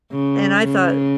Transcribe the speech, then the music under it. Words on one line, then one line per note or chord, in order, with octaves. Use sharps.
and I thought,
C#3
C#3